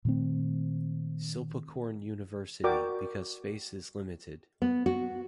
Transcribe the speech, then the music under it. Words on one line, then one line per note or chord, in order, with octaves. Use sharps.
Silpakorn University because space is limited.
A#2 D#3 A3 C4
F#4 A#4 D5 G5 D6
B3
F#4